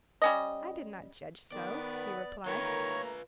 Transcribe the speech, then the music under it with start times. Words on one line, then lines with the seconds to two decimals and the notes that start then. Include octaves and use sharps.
"I did not judge so," he replied.
0.22 G3 C#4 D#5
1.52 D#3 B3 D5
2.46 D#3 A3 A#3 F4 B4 C#5 A#5 C#6